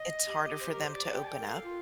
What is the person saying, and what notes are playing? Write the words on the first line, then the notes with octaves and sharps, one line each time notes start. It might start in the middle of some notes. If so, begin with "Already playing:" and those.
it's harder for them to open up.
Already playing: D#5
G4
C5
A#4
C5
D5
G5
A5
A4 G5
A#4
A4 F5
F4